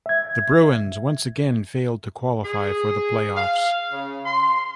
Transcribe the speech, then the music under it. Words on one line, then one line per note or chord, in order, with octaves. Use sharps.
The Bruins once again failed to qualify for the playoffs.
E5 G#6
G#4
F5
C#3
C6